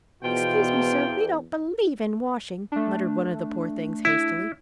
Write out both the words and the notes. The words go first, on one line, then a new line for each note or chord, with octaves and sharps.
"Excuse me, sir, we don't believe in washing," muttered one of the poor things hastily.
E2 B2 F3 F4 G5
A3 D4
E4